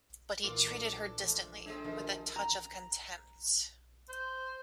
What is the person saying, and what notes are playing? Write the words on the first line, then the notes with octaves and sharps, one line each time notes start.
But he treated her distantly, with a touch of contempt.
A#2 E3 F4 D6
D4 A4
F3 A3
G#3 C4 D4 A4
B2 D#3 F3 G#3 D#4
A#5
C5